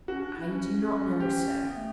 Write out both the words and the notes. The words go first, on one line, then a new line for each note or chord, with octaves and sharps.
"I do not know, sir!"
C#4 F#4
D4
E4
C#4
G4
B3
A3